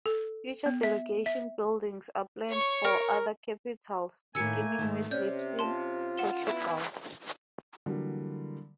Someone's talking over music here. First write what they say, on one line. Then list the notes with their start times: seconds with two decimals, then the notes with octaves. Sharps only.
Future Delegation buildings are planned for other capitals, beginning with Lisbon, Portugal.
0.06 A4
0.66 B3
0.83 E5
1.26 E5
2.49 C#5 C#6
2.85 A#4
4.35 A2 D#3 A3 A#3 G#5 E6 C#7
4.78 G#2 D#3
5.11 C3 C#4 D5 G6
5.59 F4 A5 C6
6.17 F#5 E7 G7
6.47 B3 E4
7.86 D3 E3 F#3 G3 A#3